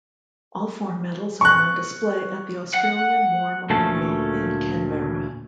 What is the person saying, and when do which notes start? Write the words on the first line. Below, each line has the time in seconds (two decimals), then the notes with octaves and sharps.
All four medals are on display at the Australian War Memorial in Canberra.
1.41 C#6 F#6
2.74 F#5
3.70 D2 A#2 A3 C#4 A5